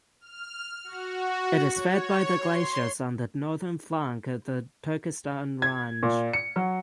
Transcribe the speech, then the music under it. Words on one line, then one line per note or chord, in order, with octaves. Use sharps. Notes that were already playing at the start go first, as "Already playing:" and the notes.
It is fed by the glaciers on the northern flank of the Turkestan Range.
F6
F#4
C#5
C6
G#6
A#2
C#7
F#3